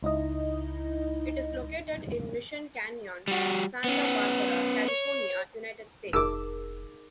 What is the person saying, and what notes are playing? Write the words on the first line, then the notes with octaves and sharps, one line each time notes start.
It is located in Mission Canyon, Santa Barbara, California, United States.
C#2 D#4 E4 D#5
G3 F#4
B3 C#4
C#5
F1 D#4 G#4 A#4 D6 E6